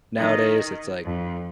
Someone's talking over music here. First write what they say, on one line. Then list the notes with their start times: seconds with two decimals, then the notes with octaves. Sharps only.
nowadays it's like
0.18 D#3
1.05 F2